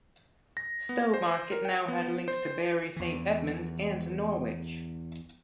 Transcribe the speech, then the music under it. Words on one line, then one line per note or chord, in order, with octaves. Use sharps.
Stowmarket now had links to Bury Saint Edmunds and Norwich.
A#6
B3
C5
A#4
G5
B3
C5
E2 E3